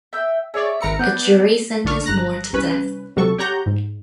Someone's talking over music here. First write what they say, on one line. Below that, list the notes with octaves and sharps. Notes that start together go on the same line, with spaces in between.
A jury sentenced Moore to death.
E5 G5 E6
G#4 C#5 D5 E5
G#1 A#4 B4 E5 A#5 C#7
B3 D4 F#6 G6
A#1 D3 D4 C#6 F6
G1 A#5 F#6 A#6
C2 C#4 B4
C#2 C3 F#3 A4 C#6
G4 C#5 F#5 A#5 G6
G#2